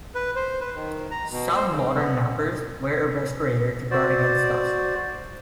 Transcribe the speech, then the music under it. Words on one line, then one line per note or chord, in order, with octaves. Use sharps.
Some modern knappers wear a respirator to guard against dust.
B4
C5
B4
D#3
A#5
B2
C5
C#3
B3
F#4 C5 D5